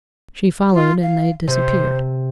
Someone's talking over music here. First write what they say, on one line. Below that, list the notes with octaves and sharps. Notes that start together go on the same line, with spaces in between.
She followed, and they disappeared.
F4
F5
C3 C5